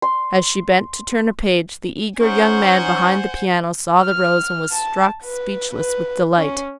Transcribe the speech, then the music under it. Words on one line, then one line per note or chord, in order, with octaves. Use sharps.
As she bent to turn a page, the eager young man behind the piano saw the rose and was struck speechless with delight.
C6
C#4 D#4 C5 F#5 G#5 C#6
F6
A5
B4
B4
C#4